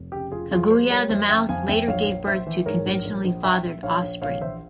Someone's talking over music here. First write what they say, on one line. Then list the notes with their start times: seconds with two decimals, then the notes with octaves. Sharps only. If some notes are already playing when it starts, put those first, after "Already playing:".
Kaguya the mouse later gave birth to conventionally fathered offspring.
Already playing: F1
0.12 C#3 G4
0.31 F1 F4 G#4
0.51 F2 F4 G#4
0.70 G3 G#4 C5
0.90 G3 A#4 C#5
1.09 F2 C5 E5
1.29 C#3 E5 G5
1.49 F2 F5 G#5
1.68 F2 E5 G5
1.88 A#1 C#5 F5
2.07 A#1
2.27 A#1 C5 E5
2.47 E3
2.66 G#2 A#4 C#5
2.86 A#1
3.05 A#1
3.25 A#1
3.44 A#1 E5 G5
3.63 A#1
3.83 A#1 C#5 F5
4.03 A#1
4.22 A#1 C#5 F5
4.41 E3 C5 E5